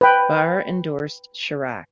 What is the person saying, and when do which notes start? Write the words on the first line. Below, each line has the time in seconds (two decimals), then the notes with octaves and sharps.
Barre endorsed Chirac.
0.01 B4 G5